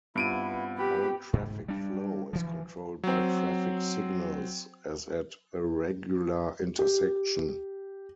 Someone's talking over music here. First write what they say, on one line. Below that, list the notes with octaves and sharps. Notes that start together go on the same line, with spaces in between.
All traffic flow is controlled by traffic signals as at a regular intersection.
G2 B3 C4 E4 F4 D7 D#7
G4 B4 B5
G#2
G3 D4
E3 F3
F#3 C4
G4